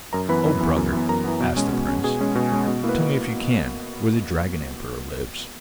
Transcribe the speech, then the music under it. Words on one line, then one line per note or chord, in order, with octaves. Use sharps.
'Oh, brother!' asked the prince, 'tell me, if you can, where the dragon-emperor lives?'
F#2 A#4 A#5
E3 B3 B4 B5
F#2
E3 B3
F#2
E3 B3
F#2 A#4 A#5
E3 B3
B2
G#3 C#4
B2
G#3 C#4
B2 G#4 G#5
G#3 C#4
B2
G#3 C#4
B2
A#3 E4
B4